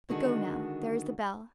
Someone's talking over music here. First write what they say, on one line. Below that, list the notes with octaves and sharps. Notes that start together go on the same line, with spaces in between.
But go now; there is the bell.
D3 D#3 G#3 D4 F#4